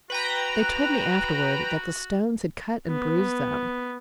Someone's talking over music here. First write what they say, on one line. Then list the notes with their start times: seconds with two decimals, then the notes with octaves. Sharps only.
They told me afterward that the stones had cut and bruised them.
0.10 F#4 B4 G5 A#5
2.87 B3